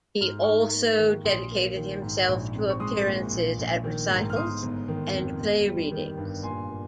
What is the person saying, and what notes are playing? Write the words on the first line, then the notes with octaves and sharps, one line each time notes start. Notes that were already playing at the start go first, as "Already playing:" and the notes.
He also dedicated himself to appearances at recitals and play readings.
G#2 F6
D#4 C#6 F6
A#3
D#3
A#1 C6 D#6
A#3
D#3
G#2
A#1
C4
C#6
G#3 C6 D#6
A#2
A#1
A#1
D#3
G#2
F6
G1 C6 D#6
G1
D#3
F2
G1
G3
D#3
G2
A#2 G#5 C6
A#2